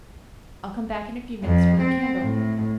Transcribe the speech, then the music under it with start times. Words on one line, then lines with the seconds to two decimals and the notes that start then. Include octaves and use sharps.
I'll come back in a few minutes for the candle.
1.44 F2
1.82 C4
2.22 A2